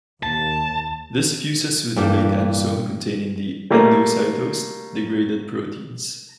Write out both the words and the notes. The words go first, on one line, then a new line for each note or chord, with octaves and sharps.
This fuses with a late endosome containing the endocytosed, degraded proteins.
D#2 A5
G2 E3 A#3 G5
G3 A3 A#3